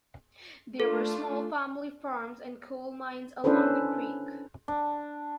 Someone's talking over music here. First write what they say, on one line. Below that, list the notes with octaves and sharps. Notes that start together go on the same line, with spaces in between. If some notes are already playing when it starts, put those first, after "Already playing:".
There were small family farms and coal mines along the creek.
A3 D4 F4 A4
C#4 D4 E4 A4 B4 C5
D4